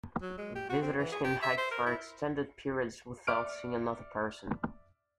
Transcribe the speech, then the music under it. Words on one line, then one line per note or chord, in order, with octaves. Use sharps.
Visitors can hike for extended periods without seeing another person.
F#3
G#3
G4
F#4
C4
E3
G#4
G4
E5
C5
A#4
E4
D5 E5 D6 F6 D7